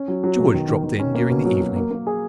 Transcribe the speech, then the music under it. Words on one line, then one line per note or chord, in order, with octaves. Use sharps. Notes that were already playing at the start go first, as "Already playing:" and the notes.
George dropped in during the evening.
Already playing: C#4
F#3
F#3
B2
D#3
D#3
D#3
C#4
A#3
B2
F#3
F#3
A#3
A#3
G#4